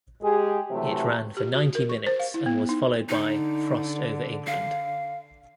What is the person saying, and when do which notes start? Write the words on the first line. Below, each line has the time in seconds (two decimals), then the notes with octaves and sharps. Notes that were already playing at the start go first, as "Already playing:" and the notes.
It ran for ninety minutes and was followed by "Frost over England".
0.22 G#3 G4 G#4
0.70 C3 E3 F#3 A3
1.37 G4
1.54 F#4
1.75 A#4
1.89 C#6
2.07 C5
2.19 F5
2.34 E4
2.46 B3
2.69 D#4
3.09 D3 D#4
4.47 F5